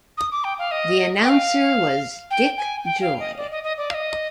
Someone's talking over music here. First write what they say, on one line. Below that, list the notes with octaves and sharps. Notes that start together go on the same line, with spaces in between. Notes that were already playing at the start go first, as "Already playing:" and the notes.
The announcer was Dick Joy.
D#6
D6
G5
F5
D#5
G5
F5
G5
G#5
G5
F5
D#5
D5
D#5
D#5
D5
F5
D#5